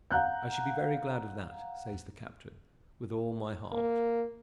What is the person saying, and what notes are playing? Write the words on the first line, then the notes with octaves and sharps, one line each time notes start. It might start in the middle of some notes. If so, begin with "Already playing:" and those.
"I should be very glad of that," says the captain, "with all my heart."
F5 F#5 A#5 F#6 G6
A#3